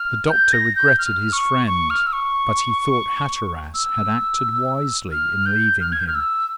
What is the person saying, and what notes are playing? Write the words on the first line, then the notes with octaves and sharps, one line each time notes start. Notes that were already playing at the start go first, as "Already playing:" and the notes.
The doctor regretted his friend, but he thought Hatteras had acted wisely in leaving him.
Already playing: F6
G6
A#6
G6
F6
C#6
C#6
F6
E6
C#6
E6
F6
G6
F6
G#6
G6
F6
E6